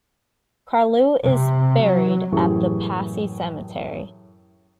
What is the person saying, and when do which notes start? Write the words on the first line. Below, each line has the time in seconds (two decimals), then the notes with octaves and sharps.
Carlu is buried at the Passy Cemetery.
1.24 C3
1.83 F#3
2.32 F#2 A2 E3 G4 G#4 C#6